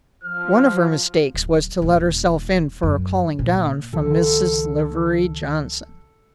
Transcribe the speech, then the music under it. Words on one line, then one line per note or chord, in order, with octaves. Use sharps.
One of her mistakes was to let herself in for a calling-down from Mrs. Livery Johnson.
F3 F6
D1
D#1
F#2
A#2
C#2 D#3 F3 A4